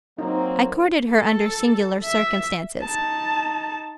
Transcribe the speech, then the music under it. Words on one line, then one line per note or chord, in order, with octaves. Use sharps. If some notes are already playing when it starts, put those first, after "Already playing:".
I courted her under singular circumstances.
F#3 A#3 C4 D#4
A4
E5
D#4 A5